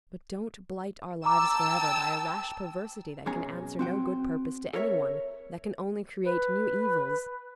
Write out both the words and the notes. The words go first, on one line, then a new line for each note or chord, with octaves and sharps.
But don't blight our lives forever by a rash perversity that can answer no good purpose to any one, that can only create new evils.
G5 A5 A#5 D6 E6
F#2 B2 C#4 G#4 G#5 A#5
C4 F#4 G5
A4 A#4 C#5 E5
B4